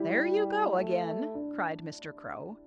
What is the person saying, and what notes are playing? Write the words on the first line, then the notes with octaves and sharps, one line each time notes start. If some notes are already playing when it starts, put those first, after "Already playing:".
"There you go again!" cried Mr. Crow.
Already playing: G3 E4 G4
A3
D4